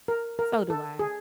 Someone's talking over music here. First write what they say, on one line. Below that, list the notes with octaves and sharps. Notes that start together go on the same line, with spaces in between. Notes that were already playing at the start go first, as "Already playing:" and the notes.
So do I.
A#4
A#4
A4
G#4